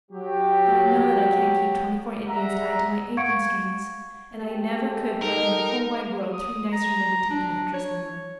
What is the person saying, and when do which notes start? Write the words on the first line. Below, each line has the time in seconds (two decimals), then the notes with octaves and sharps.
But I know that I can't keep twenty-four Indians tied to my apron strings, and I never could find in the whole wide world three nicer men to take an interest in them.
0.11 F#3 G4
2.27 G3 G#4 E5 F#5 A#5
3.17 F5 F#5 C#6 G#6 C#7 D7
4.40 G#3 G4 A4
5.21 D#4 A#4
6.33 D#6
6.73 A#5
7.30 D4
7.74 C#5